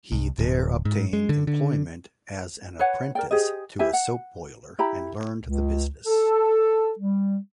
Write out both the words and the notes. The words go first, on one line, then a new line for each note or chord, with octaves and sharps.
He there obtained employment as an apprentice to a soap-boiler, and learned the business.
C2
D1
G#2
G#3
D3
D3
B4 C#5 F#5 G#5
A#4 D5 G5
G4 G#4 C5 D#5
E4 G4 E5 G#5
F#5
E4 G4 A#5 B5
C#2
A4
G3